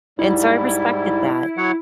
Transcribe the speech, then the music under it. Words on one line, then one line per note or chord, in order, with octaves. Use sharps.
and so I respected that,
G#2 G3 E4
F#3 C#5 F#5